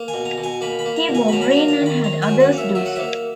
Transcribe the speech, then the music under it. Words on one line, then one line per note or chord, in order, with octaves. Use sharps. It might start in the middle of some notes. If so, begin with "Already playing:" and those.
He wore green and had others do so.
Already playing: A#3
G#5
B2
A#5
B2
G#5
A#3 B5
B5
A#3
A#5
B2
G#5
B5
F#3 A#5
B5
A#5
A#3
A#5
D#3
B5
D#3 A#5
G#5
F#3
F#5
A#3
E5
F#3 E5
F#5
A#3 E5